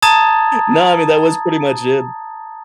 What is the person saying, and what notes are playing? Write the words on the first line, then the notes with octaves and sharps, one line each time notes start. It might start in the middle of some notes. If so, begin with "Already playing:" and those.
no, I mean, that was pretty much it.
A5 A#5 D#6 G#6 A6